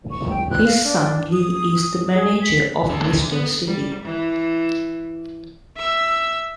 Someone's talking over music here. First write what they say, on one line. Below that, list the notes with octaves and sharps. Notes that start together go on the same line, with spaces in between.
His son Lee is the manager of Bristol City.
C#6
G5
F#6
F5
D4
D#6
G#4
B6
D3 A3
B3
G3
E3
E5 E6